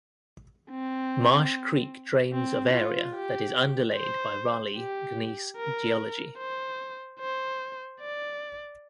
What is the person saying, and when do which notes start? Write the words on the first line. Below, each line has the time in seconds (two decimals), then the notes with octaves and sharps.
Marsh Creek drains of area that is underlaid by Raleigh Gneiss geology.
0.71 C4
2.33 C4
2.73 F4
3.14 G4
3.95 C5
4.76 G4
5.57 A#4
6.38 C5
7.19 C5
8.01 D5